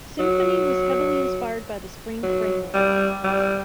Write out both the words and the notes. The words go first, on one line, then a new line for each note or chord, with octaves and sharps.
Symfony was heavily inspired by the Spring Framework.
F#3
F#3
G3
G3